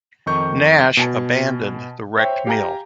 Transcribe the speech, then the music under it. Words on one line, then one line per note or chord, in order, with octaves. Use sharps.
Nash abandoned the wrecked mill.
F2 D#3 D#4 C#6 G6
B2 G#5 A5
C5 C#5 E5 G5
G4 F5 G#5 A#5